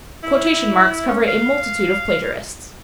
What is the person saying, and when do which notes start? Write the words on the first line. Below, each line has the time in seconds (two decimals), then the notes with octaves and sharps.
Quotation marks cover a multitude of plagiarists.
0.23 E4
1.08 C#4
1.28 F5